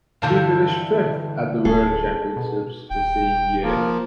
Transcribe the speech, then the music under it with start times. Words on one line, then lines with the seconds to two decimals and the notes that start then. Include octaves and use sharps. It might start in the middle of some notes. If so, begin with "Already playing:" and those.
He finished fifth at the World Championships the same year.
0.22 G2 D3 E3 F5 A5 G6
1.65 D1 G#4 A4
2.36 B2
2.90 D#1 G5
3.63 F3 A#3